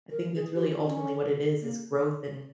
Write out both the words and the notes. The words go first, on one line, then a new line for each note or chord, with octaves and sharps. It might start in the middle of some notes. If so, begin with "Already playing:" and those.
I think that's really ultimately what it is, is growth, and
A#4
G#4
G4
F4
C#4
A#3